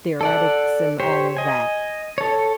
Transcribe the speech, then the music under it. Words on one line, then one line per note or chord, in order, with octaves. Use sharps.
theoretics and all of that.
A4 D5 F#5
G4 C5 C#5
D#5 G#5
A4 C#5